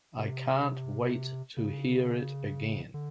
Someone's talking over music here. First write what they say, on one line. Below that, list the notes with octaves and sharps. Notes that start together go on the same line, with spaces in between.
I can’t wait to hear it again.
C3
C#3
D3